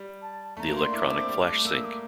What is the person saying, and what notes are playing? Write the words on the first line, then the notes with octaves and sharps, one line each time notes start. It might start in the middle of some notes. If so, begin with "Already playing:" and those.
The electronic flash sync.
Already playing: G3
A5
A3 A#5
A#3
C6
D4
E4 D6
D4
C4
G3 D6
A3
A#3 E6
D6